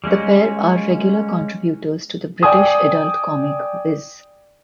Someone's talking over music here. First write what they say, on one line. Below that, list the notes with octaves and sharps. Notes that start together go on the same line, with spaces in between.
The pair are regular contributors to the British adult comic "Viz".
G3 G#3 A#3 C#4
D5 G5 G#5 D#6